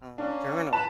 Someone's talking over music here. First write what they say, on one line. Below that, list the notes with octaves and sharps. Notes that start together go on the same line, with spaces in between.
um, journal.
A#3 C#4 D4
B4 A5 B5 E7